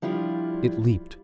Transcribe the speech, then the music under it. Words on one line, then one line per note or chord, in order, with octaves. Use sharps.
It leaped.
F3 G3 D4 E4 F4